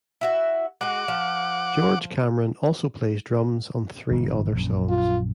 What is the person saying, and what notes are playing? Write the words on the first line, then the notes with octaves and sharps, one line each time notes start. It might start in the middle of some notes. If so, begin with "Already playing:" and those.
George Cameron also plays drums on three other songs.
E4 F#4 E5
G#3 F#4 F#5 D6
F3
G1 C#3 E3
A#1 F#2
F4